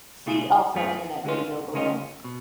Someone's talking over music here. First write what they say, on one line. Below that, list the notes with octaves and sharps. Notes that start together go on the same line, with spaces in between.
See also Internet radio below.
C#2 B2 A3 F4 G#4
F#2 F3 A3 F4 G#4
D2 D3 G#3 C#4 F4
D2 C#3 G#3 C#4 F4
B2